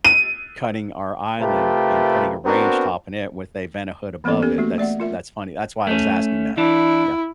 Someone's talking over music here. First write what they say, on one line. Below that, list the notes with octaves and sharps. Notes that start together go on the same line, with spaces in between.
cutting our island and putting a range top in it with a Vent-A-Hood above it. That's that's funny. That's why I was asking that. Yeah.
D#7
C3 A3 F4 G4 A#4 B4
B3 C4 D4 F#4 A#4
E3 A#3 B3 C#4 A4 D5
B3 C#4 G4 A4 A#4
A3 A#3 F#4
A3 D5 E5 F#5
F4 A#4 E5
A3 C#4
E3 D4 E4